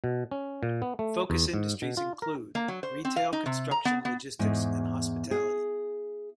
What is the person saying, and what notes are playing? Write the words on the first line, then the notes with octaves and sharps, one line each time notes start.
Focus industries include retail, construction, logistics and hospitality.
B2
C#4
A#2
B3
A3
E2
G#2
B2
F4
A#4
A#3
F#3
C5
C4
F5
D#4
C3
A#5
B3
B3
E2 G#2
G#4